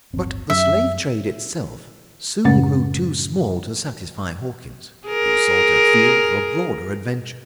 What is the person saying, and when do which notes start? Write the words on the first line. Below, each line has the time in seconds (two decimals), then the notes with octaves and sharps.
But the slave trade itself soon grew too small to satisfy Hawkins, who sought a field for broader adventures.
0.13 D1 G1 C4
0.50 F#2 F#3 C#4 E5
2.45 F#2 A2 C#3 G#3 C#4 A6
5.07 G#4 A#4